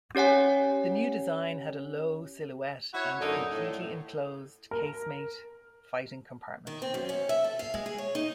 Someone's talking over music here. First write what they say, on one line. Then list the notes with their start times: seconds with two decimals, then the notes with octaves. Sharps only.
The new design had a low silhouette and completely enclosed, casemate fighting compartment.
0.15 C#4 G4 C#5 F#5 G#5
2.94 E4 F#4 C#5
3.20 F#2 D3 D#4
3.51 A2
4.71 A#4
6.67 D#3
6.82 C4
6.94 F#2
7.09 C#4
7.29 E5
7.44 A4
7.59 F5
7.74 G#3
7.86 G#4
7.98 C#5
8.15 D#4